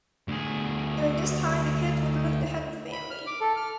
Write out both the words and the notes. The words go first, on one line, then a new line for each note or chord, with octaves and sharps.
During this time the kids would alert the head of the family.
D2 G#4
B5
F6
D6
A4
F6